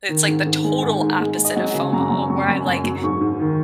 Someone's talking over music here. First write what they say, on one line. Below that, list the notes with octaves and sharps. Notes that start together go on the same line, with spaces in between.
it's like the total opposite of FOMO where I'm like,
D#3
G#2
G#2
G#3
G#2 F#5
G#2
G#3
G#3
D#5
F#3 F#5
C#3
F#2 A#5
F#2
F#2 C#6
F#2
F#2
F#3
G#2 C#6
G#2
D#3